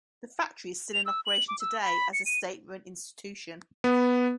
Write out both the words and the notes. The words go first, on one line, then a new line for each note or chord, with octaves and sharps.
The factory is still in operation today as a state-run institution.
F7
E6
F#7
D6
E6
B5
C#7
D#7
B3